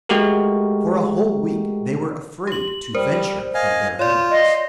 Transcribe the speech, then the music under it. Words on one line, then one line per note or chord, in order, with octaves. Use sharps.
For a whole week they were afraid to venture from their homes.
G#3 A3 F#4 G4 A#4
G4 F#7
G3 A#4 C5
D#5 F5 G#5
F4 C#5 D5
D#5 C6